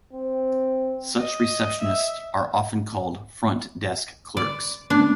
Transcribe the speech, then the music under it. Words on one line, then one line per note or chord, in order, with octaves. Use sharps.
Such receptionists are often called "front desk clerks".
C4
D#5
E5
D5
A3 B3 C#4 D4